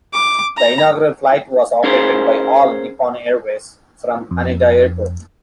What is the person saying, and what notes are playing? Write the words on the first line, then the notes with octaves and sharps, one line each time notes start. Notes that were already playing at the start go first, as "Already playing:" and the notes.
The inaugural flight was operated by All Nippon Airways from Haneda Airport.
D6
A#5
C#4 G#4 A#4 C5
F2